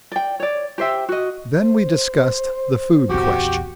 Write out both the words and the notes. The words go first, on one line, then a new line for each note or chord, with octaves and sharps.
Then we discussed the food question.
D5 G5
C#5 D5
G4 C5 E5 G5
F#4 D#5
C5
A#1 E2 F#4 G4